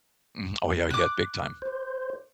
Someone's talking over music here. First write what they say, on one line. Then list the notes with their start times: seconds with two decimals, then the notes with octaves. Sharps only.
Mh oh, yeah yeah, big time.
0.90 D6 F#6
1.62 C5